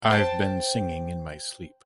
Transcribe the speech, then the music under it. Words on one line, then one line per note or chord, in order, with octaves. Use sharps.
I’ve been singing in my sleep.
C5 G5 A5